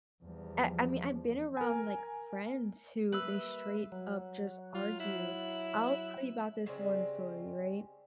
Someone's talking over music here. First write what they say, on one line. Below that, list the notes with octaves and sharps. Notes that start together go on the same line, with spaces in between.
I I mean, I've been around, like, friends who they straight up just argue. I'll tell you about this one story, right?
E2 F3 G3
A#4 G#5
G3 A#3 B4 E5
F#3
F4
E4
C#3 G3 G#3 C4